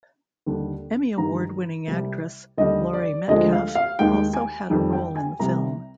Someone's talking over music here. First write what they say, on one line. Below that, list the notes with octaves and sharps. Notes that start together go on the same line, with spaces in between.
Emmy Award-winning actress Laurie Metcalf also had a role in the film.
D#2 D3 G3
G2 D#3 G3 A#5
C2 C3 G3
D#2 D3 G3 D#5
D5
D2 D3 F3 G#3 D#5
F5
F5
D#2 D#3 G#3 G5
G#5
F2 D#3 G3
G5
G#5
C2 C3 G3 A#5